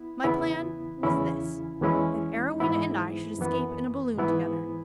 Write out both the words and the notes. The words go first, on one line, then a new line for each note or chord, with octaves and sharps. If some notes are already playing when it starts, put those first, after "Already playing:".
My plan was this--that Arowhena and I should escape in a balloon together.
Already playing: B3 E4
E2 C#3 E3 B3 E4
E2 C#3 E3 C#4 E4
E2 E3 G#3 C#4 E4
G#2 E3 B3 E4
F#2 E3 B3
G#2 E3 B3 E4